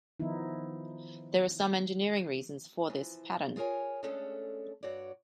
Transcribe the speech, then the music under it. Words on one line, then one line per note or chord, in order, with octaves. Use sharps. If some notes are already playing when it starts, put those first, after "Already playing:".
There are some engineering reasons for this pattern.
D#3 F3 B3 D#4 E4
E3 F3
F4 G#4 A#4 C#5 G#5
G#3 A3 C#4 D4 G#4 A4
G2 F#4 C#5 D5